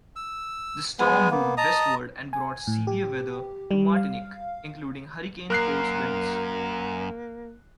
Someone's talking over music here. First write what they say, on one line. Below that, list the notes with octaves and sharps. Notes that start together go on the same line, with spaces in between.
The storm moved westward and brought severe weather to Martinique, including hurricane-force winds.
E6
G#3 B3 G#5
A#3 B3
D#5 A5 A#5 D#6
G#5
A2
G4
G3
F5
F#2 A#3 A#4 F#6 C7